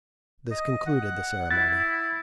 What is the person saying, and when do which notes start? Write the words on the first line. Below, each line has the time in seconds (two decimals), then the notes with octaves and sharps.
This concluded the ceremony.
0.51 D#5
0.86 F#5
1.51 E4 A6